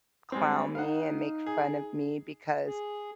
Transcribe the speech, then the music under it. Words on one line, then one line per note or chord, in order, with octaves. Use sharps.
clown me and make fun of me because
G3 G#3 C4
D#4 F5 F#5
G#4
G#4